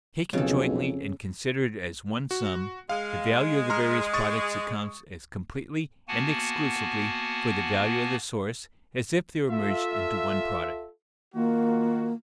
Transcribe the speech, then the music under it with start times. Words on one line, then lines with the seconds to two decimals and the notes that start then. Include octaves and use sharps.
Taken jointly and considered as one sum, the value of the various products accounts as completely and exclusively for the value of the source as if they were merged into one product.
0.33 B1 F2 C#3 A4
2.31 F#4
2.89 G#3 F5
3.70 A#5 C6 F6
4.14 C#6 D#6 A6
6.08 A#3 B3 F#4 F#5 G#5 A5
9.50 F4 A4 E5
11.35 D#3 A#3 F4 F#4